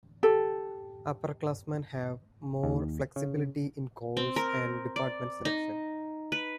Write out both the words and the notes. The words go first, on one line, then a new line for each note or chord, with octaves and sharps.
Upperclassmen have more flexibility in course and department selection.
G4 A4
D#2
C#3
C4
A#4
D5
D#4
B4